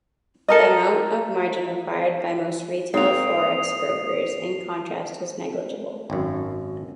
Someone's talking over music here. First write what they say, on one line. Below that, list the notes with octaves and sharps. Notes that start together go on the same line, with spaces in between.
The amount of margin required by most retail forex brokers in contrast is negligible.
A4 A#4 D#5
G#2 A#3 C4 D#6 C7 F7
G#1 F#2